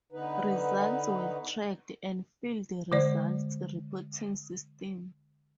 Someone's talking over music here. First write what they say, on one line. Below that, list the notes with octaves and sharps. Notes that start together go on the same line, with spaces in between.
Results were track and field results reporting system.
D3 B3 D#4 B4
D3 G#3 C5 D5